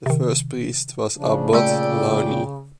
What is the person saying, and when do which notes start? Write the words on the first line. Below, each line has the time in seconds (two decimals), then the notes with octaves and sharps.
The first priest was Abbot Launay.
0.06 C3 D#3
1.17 C#3 F3 D4
1.53 A#2 A3 G4 A4 D5 G5